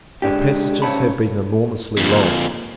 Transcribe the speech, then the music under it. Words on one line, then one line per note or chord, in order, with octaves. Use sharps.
Our passages have been enormously long.
D3 G#3 D4 G4
G2 C#3 C4 C#5 A5 B5
F2 A#2